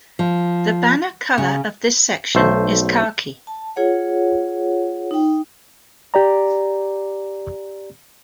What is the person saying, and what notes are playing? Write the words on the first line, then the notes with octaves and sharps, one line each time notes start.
The banner colour of this section is khaki.
F3
C#3
B1 A3 C5
A5
F4 G#4 C#5 F#5
D#4 G5
G4 D5 A#5